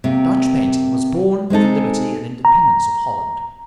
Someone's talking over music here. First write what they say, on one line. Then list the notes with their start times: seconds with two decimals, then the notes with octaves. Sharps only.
Dutch painting was born with the liberty and independence of Holland.
0.04 C3 A#3
1.50 G#3 C4 D#4 A4
2.45 A#5